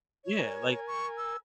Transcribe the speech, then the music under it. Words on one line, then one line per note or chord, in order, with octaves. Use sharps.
Yeah, like
C#5
A#4 G#5
C#6
E6